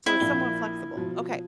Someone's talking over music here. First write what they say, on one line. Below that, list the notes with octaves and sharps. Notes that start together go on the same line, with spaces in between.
so it's somewhat flexible. Okay.
C4 E4
A#1 A#3 G7
B2 F3